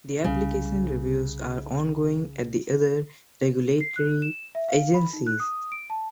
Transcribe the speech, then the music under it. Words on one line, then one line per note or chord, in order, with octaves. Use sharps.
The application reviews are ongoing at the other regulatory agencies.
C2 C#3 G3
C7
F#6
E7
E5
F5
B5
D#4
F#6
D#6
D7
A5